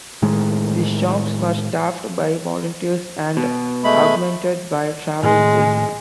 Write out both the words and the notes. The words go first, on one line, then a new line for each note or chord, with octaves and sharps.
These shops were staffed by volunteers and augmented by travelling salesmen.
A2 D#3 G#3
B2
G#3 A3 B5
A2 D#3 G#3 A3